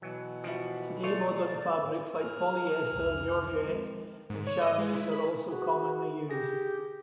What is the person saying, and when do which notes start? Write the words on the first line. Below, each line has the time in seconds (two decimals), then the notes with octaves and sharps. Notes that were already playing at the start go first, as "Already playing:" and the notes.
Today, modern fabrics like polyester, georgette and charmeuse are also commonly used.
0.02 B2 E3 F#3
0.44 F3 G3 F#4 E5
1.03 A3 F4 C#5 D5
2.21 G#4 F6
2.88 C2 F2
3.62 F3 G#3 C4
4.30 G#2
4.47 C#5
4.61 D#5
4.78 G#3
4.94 E4
5.12 B5
5.50 F#4 G#4
6.29 G4 G#4 A#6